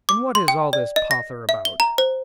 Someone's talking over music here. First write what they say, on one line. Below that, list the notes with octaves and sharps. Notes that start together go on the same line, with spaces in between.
And what is all this pother about?
D6
C6
G5
D5
D#5
A#6
E5
G7
A#5
C5